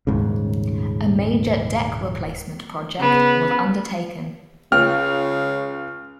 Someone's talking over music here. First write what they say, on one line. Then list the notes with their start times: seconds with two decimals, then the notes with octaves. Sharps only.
A major deck replacement project was undertaken.
0.07 D#1 G#2 C#3
2.99 C#3 B3
4.72 C#2 C#3 G5 F6